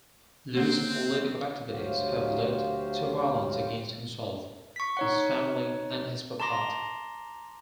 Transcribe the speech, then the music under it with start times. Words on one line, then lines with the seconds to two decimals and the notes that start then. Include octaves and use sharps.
Lu's political activities have led to violence against himself, his family, and his property.
0.55 A#3 C4 C5 F#5
1.70 D2 F#3 F#4 G4 C5 F5
4.76 C#6 B6
4.97 D#4 C#5 F#5
6.40 A5 A#5 C6 D6 A#6